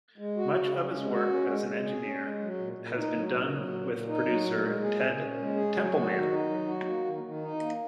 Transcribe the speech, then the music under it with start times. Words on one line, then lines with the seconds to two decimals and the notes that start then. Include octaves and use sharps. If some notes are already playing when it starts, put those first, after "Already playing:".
Much of his work as an engineer has been done with producer Ted Templeman.
0.18 G#3
0.37 F#4
0.55 C#3
0.74 C#4
0.93 G#3
1.10 F#4
1.30 C#4
1.48 G#3
1.67 G#3
1.85 G#4
2.03 C#4
2.22 G#3
2.41 F#3
2.59 A#2
2.77 A#2
2.96 D#4
3.15 F#3
3.33 A#2
3.52 F#3
3.70 A#2
3.90 A#2
4.07 D#4
4.26 F#3
4.45 A#2
4.63 G#3
4.82 G#4
5.00 A#2
5.19 C#4
5.37 G#3
5.56 G#4
5.75 F#3
5.93 F#4
6.12 D#3
6.30 D#4
6.48 F#3
6.67 F#4
6.86 A#3
7.05 D#3
7.23 D#3
7.42 D#4
7.60 A#3